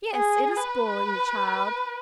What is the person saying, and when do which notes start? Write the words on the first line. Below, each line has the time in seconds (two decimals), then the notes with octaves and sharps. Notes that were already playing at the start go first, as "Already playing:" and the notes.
'Yes; it is spoiling the child.
0.12 G#4
0.57 B4